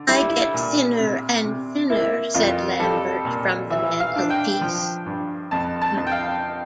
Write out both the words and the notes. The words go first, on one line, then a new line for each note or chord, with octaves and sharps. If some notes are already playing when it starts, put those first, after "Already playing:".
"I get thinner and thinner," said Lambert from the mantelpiece.
Already playing: D3
G3 E4
E4
A#2
C3
C3
A#3 E4
F2 F4
G3 A4
A#2
E3 E5
F5
D4
G5
F3
G2
F2 A5
A5
F2
G5
F5